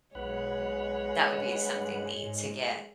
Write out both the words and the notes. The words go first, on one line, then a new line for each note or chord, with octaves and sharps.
That would be something neat to get
B1 G#3 B4 C#5 F#5
G2
G#2